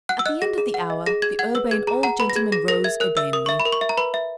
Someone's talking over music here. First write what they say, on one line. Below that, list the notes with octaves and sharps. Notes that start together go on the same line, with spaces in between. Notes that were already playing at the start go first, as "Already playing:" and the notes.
At the end of the hour, the Urbane Old Gentleman rose urbanely.
F#5 F#6
E6
D#5 F#6
G#4 A#6
G#4
F#5
D#5
G#4 A#6
G#4 G#6
F#5 G#6
B4 E6
G#4 G#6
G#4 A#5
F#5 A#5
B4 B5
A#6
G#4 G#6
G#4 A#6
A#4 A#6
E5 G#6
A#4 F#6
E5 E6
A#4 D#6
E5 C#6
B5
A#4
C#6
E5
A#5
B4 B5
E5